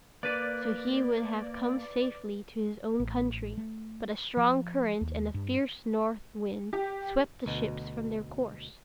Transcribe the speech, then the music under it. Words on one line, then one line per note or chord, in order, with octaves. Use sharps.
So he would have come safely to his own country, but a strong current and a fierce north wind swept the ships from their course.
A#3 B4 D5 F#6 A6 B6 D#7
A1
A3
F3
D#2
G2
G4
D2 B2